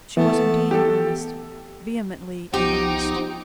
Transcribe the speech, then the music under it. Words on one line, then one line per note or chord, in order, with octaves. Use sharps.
She was indeed in earnest--vehemently in earnest.
E3 A3 B3 A5
G4 A4
C2 F3 B3 D#4 F4 G4